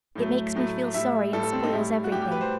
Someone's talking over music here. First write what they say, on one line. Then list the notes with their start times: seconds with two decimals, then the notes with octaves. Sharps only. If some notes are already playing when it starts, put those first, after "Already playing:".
It makes me feel sorry and spoils everything.
0.16 A2 F#3 A3
0.55 A2 F#3 A3
0.94 A2 G3 E5
1.33 A2 G3 A4
1.43 A4
1.52 C4
1.63 D#4
1.73 A2 G3 E4
2.04 F#4
2.12 A2 G4
2.15 G3
2.22 G4
2.32 B4
2.41 C5